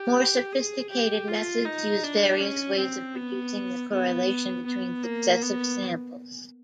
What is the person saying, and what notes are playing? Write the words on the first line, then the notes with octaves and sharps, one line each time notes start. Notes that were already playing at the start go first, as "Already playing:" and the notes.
More sophisticated methods use various ways of reducing the correlation between successive samples.
Already playing: G4
G#4
G4
F4
D#4
D4
C#4
C4
B3
B3
B3
A#3
B3